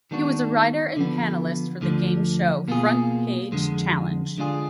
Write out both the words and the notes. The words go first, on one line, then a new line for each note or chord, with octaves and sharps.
He was a writer and panelist for the game show "Front Page Challenge".
D#3 G#3 B3 D4 F#4
D3 F3 B3
D2 D3 F3
B2 A#3 F4 G#4
F2 D3 G#3
D3 G#3 D4 F4 G#4